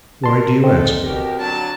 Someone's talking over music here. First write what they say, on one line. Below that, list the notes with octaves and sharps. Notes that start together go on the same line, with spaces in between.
Why do you ask me?'
A#4 A5 C6
A#2 C4 D#4 A4
B2 G4 A#4
D3 F#3 A5